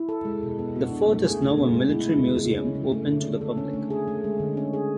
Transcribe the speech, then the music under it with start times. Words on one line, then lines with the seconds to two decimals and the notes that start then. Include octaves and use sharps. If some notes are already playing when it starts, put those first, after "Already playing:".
The fort is now a military museum open to the public.
Already playing: E4
0.09 A4
0.25 G#3
0.43 B2
0.59 B3
0.76 F#4
0.91 D4
1.09 A3
1.25 G#4
1.42 A3
1.58 B3
1.74 G#3
1.92 E4
2.07 G#3
2.25 G#3
2.41 C#3
2.58 C#4
2.75 C#3
2.92 A3
3.07 D3
3.24 D4
3.41 A4
3.57 C#4
3.73 A3
3.90 G#4
4.08 A3
4.24 G#3
4.40 D3
4.57 C#4
4.73 G#4